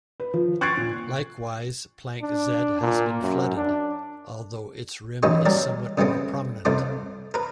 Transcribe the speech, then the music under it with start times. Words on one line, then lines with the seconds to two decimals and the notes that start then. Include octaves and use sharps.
Likewise Planck Z has been flooded, although its rim is somewhat more prominent.
0.20 B4
0.34 F3
0.61 C#6 F#6 G#6 A6 C7 D7
0.77 A#2
2.22 D4
2.81 A#2
3.22 F#2
3.57 D4
5.23 A1 D#2 D#3 F#3 D#4 C#6
5.45 F#3 G3 A#4 D5
5.98 C#3 G3 A3 B3 C4
6.65 C2 F2 F3 A3 F4 D6
7.34 A#4 B4